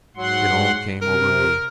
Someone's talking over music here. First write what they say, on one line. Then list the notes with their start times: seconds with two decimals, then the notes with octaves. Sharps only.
It all came over me.
0.16 G#2 F#3 F#5 C6
1.01 C3 A#4